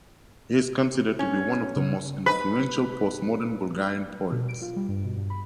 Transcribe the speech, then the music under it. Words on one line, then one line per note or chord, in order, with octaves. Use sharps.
He is considered to be one of the most influential postmodern Bulgarian poets.
C#4
C#3
B4 B5
B2
D7
F4
G3
G2
B2
G2
B5